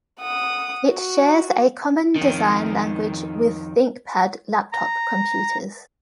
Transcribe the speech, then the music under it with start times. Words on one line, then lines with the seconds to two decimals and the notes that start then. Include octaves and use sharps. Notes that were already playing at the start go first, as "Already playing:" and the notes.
It shares a common design language with ThinkPad laptop computers.
0.20 F#5 D#6
0.91 F#4
2.16 F2 D#3
4.73 A#5